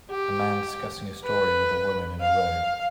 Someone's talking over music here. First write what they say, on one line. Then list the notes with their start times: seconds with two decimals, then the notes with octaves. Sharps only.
A man discussing a story with a woman in a robe.
0.11 G4
1.25 B4
2.22 F5